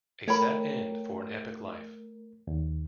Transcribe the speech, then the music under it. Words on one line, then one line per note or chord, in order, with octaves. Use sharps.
A sad end for an epic life.
A3 A#4 C#5 G5 B5
D#2